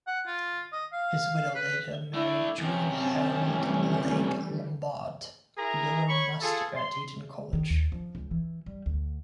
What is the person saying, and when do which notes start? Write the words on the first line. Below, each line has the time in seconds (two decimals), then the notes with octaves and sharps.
His widow later married Julian Harold Legge Lambart, Lower Master at Eton College.
0.07 F#5
0.26 F4
0.72 D#5
0.92 F5
1.55 B4
2.14 A3 D4 E4
2.58 F#2 C3 C#4
2.92 C4 A5
3.43 E3 G3 A3
5.57 E4 G#4 A#4 A#5
6.08 C#5 B5 C#6
6.41 F4 G#4 A4
6.76 C6
7.53 D#3
7.70 D#2
7.92 F3
8.15 C#2
8.31 E3
8.66 G3
8.86 D2